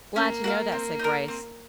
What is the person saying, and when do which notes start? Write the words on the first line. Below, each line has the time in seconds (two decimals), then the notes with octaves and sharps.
"Glad to know that," said Grace.
0.16 A#3 C#4
0.44 F#4 A#4 F5
0.72 C4
0.99 D#4 A#4
1.28 C4